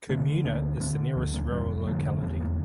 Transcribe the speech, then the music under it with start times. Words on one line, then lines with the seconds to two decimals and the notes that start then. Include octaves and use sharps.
Kommuna is the nearest rural locality.
0.09 D3 A3 C4
0.45 D2 A#3 D4
0.80 D3 A3 C4
1.16 D2 D3 F3
1.34 G3 A#3
1.51 F1 E3 G3
1.87 D3 F3 A3
2.22 E2 E3 G3
2.40 G3 A#3